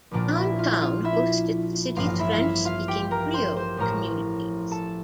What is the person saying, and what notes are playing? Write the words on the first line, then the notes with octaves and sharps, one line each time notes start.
Downtown hosted the city's French-speaking Creole communities.
A#1 A#2 F3 A#3 D4 D5
E4 E5
F4 F5
F4 F5
E4 E5
A1 G2 F3 A#3 F4 F5
F5
E4 E5
F5
E4 E5
F4 F5
G4 G5
A#4 A#5
C5 C6
C5 C6
A1 A2 F3 A3 A#4 A#5
A4 A5